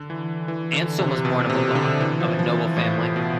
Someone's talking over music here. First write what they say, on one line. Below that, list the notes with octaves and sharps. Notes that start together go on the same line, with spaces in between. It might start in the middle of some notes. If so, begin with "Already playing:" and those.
Anselm was born in Milan of a noble family.
Already playing: D3
E3
E3
D3
C3
B2
C3
D3
E3
F3
F3
E3
A2
A2
B2